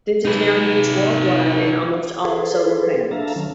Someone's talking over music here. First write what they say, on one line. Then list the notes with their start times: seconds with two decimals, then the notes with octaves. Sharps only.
This is now used worldwide in almost all solar panels.
0.25 D#4 B4
2.24 G#4 A4 B4 C5
3.11 D4 A4 E5 F5 A5 A#5
3.36 D#3 F#3 C#4